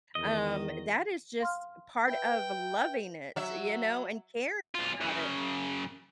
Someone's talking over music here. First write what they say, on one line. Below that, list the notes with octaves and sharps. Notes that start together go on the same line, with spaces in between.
um, that is just part of loving it, you know? And caring about it,
E2 D#3 D#5
F5 C6 F6
B4 E5 G5
F#3 E5
B1 F4
F#2 C#3